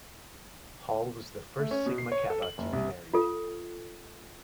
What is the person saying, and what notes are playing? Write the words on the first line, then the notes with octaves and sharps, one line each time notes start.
Hall was the first Sigma Kappa to be married.
A3
C#4
B2
C7
C#5
A4
F#7
F#1
C2
F4 A4